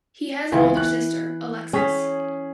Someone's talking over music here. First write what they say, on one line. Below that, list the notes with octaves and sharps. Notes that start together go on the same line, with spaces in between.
He has an older sister, Alexis.
C#2 E3 B3
F#6
C#4 G#4 B6